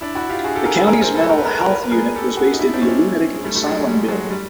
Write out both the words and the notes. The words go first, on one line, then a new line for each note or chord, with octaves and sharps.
The county's mental health unit was based in the 'Lunatic Asylum Building'.
D4 E4
E4 F#4
F4 G4
F#4 G#4
G4 A4
G#4 A#4
A4 B4
G#4 A#4
A#4 C5
A4 B4
A#4
B4
A#4
B4
A#4
B4
A#4
B4
G#4 A#4
G4 A4
F#4 G#4
D#4
D4 E4
D#4
C4 D4
C#4
C4 D4
G#3
G3 A3
G3 A3
F#3 G#3
G#3
G3
F#3 G#3
G3